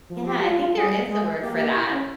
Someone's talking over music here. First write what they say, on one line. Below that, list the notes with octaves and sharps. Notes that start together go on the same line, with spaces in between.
Yeah. I think there is a word for that.
F3
G4
F4
F4
G3 G#4
G#3 G#4
A#3 G4
G4
E4
C#4